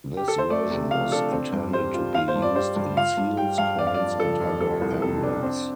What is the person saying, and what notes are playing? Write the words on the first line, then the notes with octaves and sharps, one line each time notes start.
This version was intended to be used in seals, coins and other emblems.
G4
A4
C5
A3 D5
C3
F3 F5
D4 A4
C4
G2
G3 C5
F4
F4 F5
C5
G2
D5
G3 C5
G2
F4 F5
G2
G3 G5
G2 F5
D4 D5
F5
D5
F2
F3 A4
F2
G3 A4
C2
C3 A4
D4
C4